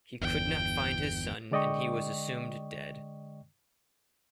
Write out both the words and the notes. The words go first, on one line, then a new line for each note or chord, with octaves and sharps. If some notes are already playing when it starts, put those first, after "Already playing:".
He could not find his son and he was assumed dead.
G1 E2 G5
D3 G#3 D5 D#5 G5 C#6